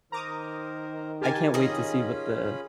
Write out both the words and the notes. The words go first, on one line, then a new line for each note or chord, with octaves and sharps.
I can't wait to see what the
D#3 A#4 C5 A#5 D6 D#6
G4 A#4 G#5 A5 C6
C#4 F4 G#4 D#5 B5